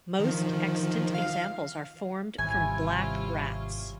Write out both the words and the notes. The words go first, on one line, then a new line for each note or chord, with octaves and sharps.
Most extant examples are formed from black rats.
D#3 F3
F5
G#1 C3 G3 E4 F4 C#5 G#5